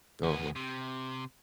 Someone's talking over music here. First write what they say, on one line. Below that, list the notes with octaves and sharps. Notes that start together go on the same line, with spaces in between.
Uh huh.
D2 B3
C3